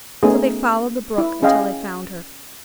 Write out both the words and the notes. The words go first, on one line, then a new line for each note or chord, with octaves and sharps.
So they followed the brook until they found her.
A3 B3 C#4 D#4 G#4
E4
C#4 G#4 D#5 F5 G5 G#5